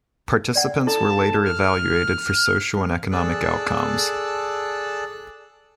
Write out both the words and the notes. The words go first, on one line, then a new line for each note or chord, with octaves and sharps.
Participants were later evaluated for social and economic outcomes.
D5 F#5
E4 A4 A5 A#5
F6
G#4 A4 D5 A5 E6 F#6